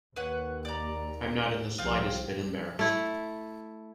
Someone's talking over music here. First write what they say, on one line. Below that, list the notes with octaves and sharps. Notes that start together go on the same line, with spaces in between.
I'm not in the slightest bit embarrassed.
D#2 B4 C#5 F#5
D5 A#5
C2 F3 F4 F5 G5
A3 E4